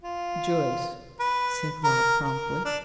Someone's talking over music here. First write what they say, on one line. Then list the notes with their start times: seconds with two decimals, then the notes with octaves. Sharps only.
"Joyce," said Rob, promptly.
0.03 F4
1.20 B4
1.84 A#4
2.25 A#4
2.65 D4